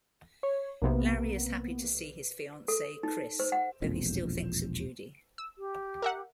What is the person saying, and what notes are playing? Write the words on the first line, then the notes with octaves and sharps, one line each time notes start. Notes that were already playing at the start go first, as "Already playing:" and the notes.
Larry is happy to see his fiancee, Chris, though he still thinks of Judy.
C#5
B1 C3 A#3 B3
A4
D#4
C5
F#5
E1 A#1 F2
E6
G4
A#4 E5 F#5